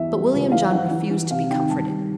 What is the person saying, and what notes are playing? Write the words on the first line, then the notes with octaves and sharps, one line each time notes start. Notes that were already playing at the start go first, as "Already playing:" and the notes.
But William John refused to be comforted.
Already playing: E2 E5
G3
C#2
E3 F5
E3 F#5
E3
E3
C3 F5
D#3 G5
G2 A5
G2